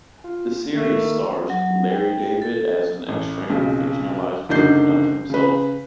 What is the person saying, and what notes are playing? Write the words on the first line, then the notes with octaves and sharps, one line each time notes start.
The series stars Larry David as an extreme fictionalized version of himself.
F4
D#3 A3 A#3
F#3
G5
A4
A1
B1 F2 C#3
F#1 D3 D4 D#4 G6 C7
C#3 B4